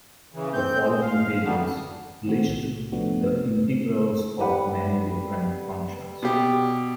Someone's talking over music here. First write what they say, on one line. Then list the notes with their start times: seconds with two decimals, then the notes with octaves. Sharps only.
The following pages list the integrals of many different functions.
0.34 C#3 E3
0.54 C4 G6
0.82 G#3
1.02 F5
1.44 D3 E3 F#3 G3 A3 B3
2.25 D#3 A3 C4 F#4
2.48 B1 A2 C3
2.92 F3 A3 B3 D4 F#4
3.31 C3
4.40 G3 B4 F#5
6.23 B2 G4